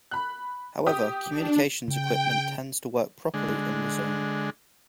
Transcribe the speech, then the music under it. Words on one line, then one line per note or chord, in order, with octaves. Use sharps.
However, communications equipment tends to work properly in the zone.
B5 F#6
G4 D#6
D4
C#3 G5
D3 G#3